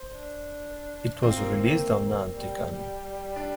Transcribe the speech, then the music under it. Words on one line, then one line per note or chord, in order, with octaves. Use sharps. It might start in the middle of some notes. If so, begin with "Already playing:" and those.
It was released on Anticon.
Already playing: C5
D4
C4 F4
A#3
A#3 C4
G3
G3
D4